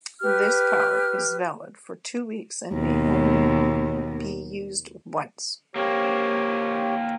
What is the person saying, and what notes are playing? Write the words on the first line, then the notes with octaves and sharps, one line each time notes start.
This power is valid for two weeks and may only be used once.
G4 B4 F6
D#2 B2
A#3 C4 G4 C#5